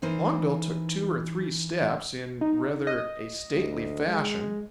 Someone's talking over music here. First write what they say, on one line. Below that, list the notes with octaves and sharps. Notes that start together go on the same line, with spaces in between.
Longbill took two or three steps in rather a stately fashion.
E3 D#4 A#4 C5
D#4
D#5
D2
G#3